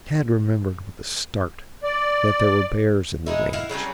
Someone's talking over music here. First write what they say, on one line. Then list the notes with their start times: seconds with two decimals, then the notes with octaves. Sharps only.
Tad remembered with a start that there were bears in the range.
1.83 D5
3.26 G#3 D#4 E4
3.53 E4 F5 F#5
3.69 C#3 F#3 G3 C#4